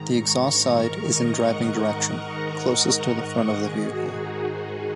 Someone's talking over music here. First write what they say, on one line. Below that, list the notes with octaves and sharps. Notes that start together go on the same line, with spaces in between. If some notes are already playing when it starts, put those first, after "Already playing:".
The exhaust side is in driving direction, closest to the front of the vehicle.
Already playing: G#2 D#3 A#5
C#6
A#5
A#4
D#5
F#5
G#2 D#3 G#4
F#4
D#4
F#4